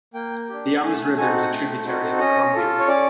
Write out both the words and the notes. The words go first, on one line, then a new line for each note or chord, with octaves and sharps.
The Youngs River is a tributary of the Columbia River.
A#3 G5
D4 G4
A3 G#5
A5
G#5
C4 D#4 F#4 A4 G#5
F#5
A3 G5
C4 D#4 F#4 A4
C#4 D#5
F4 A4
C#5
C#4 D5